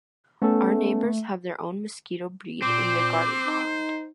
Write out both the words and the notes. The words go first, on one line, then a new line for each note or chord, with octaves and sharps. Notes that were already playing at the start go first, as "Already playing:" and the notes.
Our neighbors have their own mosquito breed in their garden pond.
A3 B3 C#4 A4
A#2 C4 C5 D6
D#4